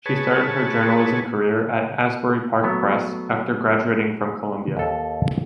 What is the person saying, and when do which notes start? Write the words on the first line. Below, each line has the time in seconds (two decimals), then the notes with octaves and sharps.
She started her journalism career at "Asbury Park Press" after graduating from Columbia.
0.06 G#4 B4 C#5 A5
2.64 F#3 A3 B3
4.77 D#2 A4